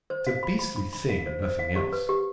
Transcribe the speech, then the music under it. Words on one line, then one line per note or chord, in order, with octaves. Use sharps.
It's a beastly thing and nothing else.
C5
F5
B5
B5
B5
B5
F5
C5
C5
F5
G4
B4
G4